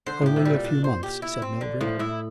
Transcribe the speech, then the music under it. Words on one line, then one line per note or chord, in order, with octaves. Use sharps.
'Only a few months,' said Mildred.
D3 C5
A2 G4
C3
A#2 G3
D4
C5
G4
E4
C4
D3
A2 F3
A2 E4